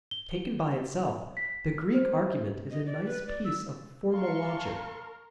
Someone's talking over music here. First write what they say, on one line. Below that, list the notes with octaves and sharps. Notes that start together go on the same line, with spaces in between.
Taken by itself, the Greek argument is a nice piece of formal logic.
G7
B6
C5
D#5
D5
B4
D5
E6
A#4 F5 A5 C6 C#6